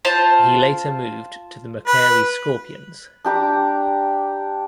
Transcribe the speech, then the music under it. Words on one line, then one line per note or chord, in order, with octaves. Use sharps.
He later moved to the Macquarie Scorpions.
F4 C5 A5
B4
D4 G4 A#5 D6